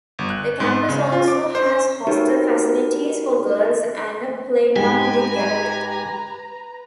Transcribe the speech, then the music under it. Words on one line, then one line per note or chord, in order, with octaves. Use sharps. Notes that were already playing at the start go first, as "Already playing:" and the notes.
The campus also has hostel facilities for girls and a play ground with gallery.
G1
F#6
G#2
C#3
F4
D6
C5
D#4 F#4 G4 A#4 B4 C#5
G#2 G#3 G4 B4 G#5 A#5